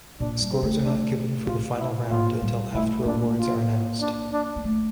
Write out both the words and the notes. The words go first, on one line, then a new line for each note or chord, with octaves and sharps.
Scores are not given for the final round until after awards are announced.
A#2 D4
G3
C4
A3
D4
F4
E4
A#3 F4
G3
A3 E4
A#3 D4
F4
D4
D4
A#3
A3